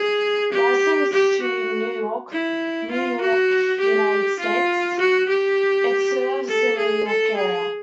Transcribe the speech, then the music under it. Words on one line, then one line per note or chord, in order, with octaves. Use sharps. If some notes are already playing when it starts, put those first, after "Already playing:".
Licensed to New York, New York, United States, it serves the New York area.
Already playing: G#4
G4
G4
F#4
E4
F4
F#4
G4
F4
F#4
G4
A4
G#4
A4
G#4